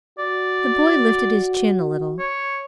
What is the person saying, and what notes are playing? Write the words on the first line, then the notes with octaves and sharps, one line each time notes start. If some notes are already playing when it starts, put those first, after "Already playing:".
The boy lifted his chin a little.
F#4 D5
C#5